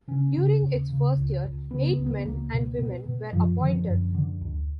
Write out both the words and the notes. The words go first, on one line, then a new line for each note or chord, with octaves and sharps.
During its first year, eight men and women were appointed.
C#3 C#4
C#3
D#2
C#3
C#2
C#2
C#3 B3
B3
C#2
B3
C#2 A#3
B2
B2 B3
B2
F#2 F3
D3 F3
F#2
D3
D2